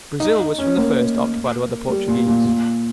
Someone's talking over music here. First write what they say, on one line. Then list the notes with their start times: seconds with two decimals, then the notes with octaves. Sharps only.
Brazil was from the first occupied by the Portuguese.
0.20 D#4
0.39 D#4
0.58 C#4
0.76 A#3
1.89 G3
2.08 A#2
2.27 A#2
2.45 A#2